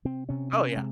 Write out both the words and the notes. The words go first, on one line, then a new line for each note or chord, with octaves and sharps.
Oh, yeah.
C3 C4
C3 C#4
C3 C#4
C3 G#3